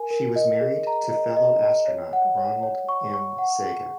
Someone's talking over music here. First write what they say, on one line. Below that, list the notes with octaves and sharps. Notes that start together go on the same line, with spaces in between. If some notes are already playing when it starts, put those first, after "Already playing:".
She was married to fellow astronaut Ronald M. Sega.
Already playing: A#4 G#5
A#4
D#5
G#4
A#5
D#5
D#5
D#5
C#5
F#5
C#5
C#5
C#6
C#6
F#5
G#4